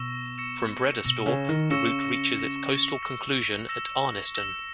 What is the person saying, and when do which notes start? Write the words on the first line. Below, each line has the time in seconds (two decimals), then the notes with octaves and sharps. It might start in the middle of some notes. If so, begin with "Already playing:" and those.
From Bredasdorp, the route reaches its coastal conclusion at Arniston.
Already playing: B2 C#6 E6 A#6 E7
0.38 C#6 E6 A#6 C#7 E7
1.04 B2 C#6 E6 A#6 C#7 E7
1.26 C#3
1.49 D#3
1.70 C#3 C#6 E6 A#6 C#7 E7
2.36 E6 A#6 E7
3.03 E6 A#6 E7
3.69 E6 A#6 E7
4.35 E6 A#6 E7